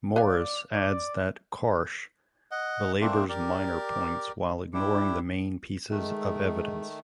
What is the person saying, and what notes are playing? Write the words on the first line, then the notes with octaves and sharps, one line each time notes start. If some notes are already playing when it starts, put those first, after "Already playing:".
Morris adds that Karsh belabors minor points while ignoring the main pieces of evidence.
B4 C#5 D5 F5
D5
D#5 F#5
A3 A#3 C4 D4
G4 A#4 D5
D4 E4 G4
D#3 G#3 A3